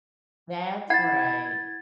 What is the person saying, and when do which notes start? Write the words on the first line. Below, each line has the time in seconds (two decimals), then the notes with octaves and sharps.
That's right.
0.90 E4 F#5 G#6 A6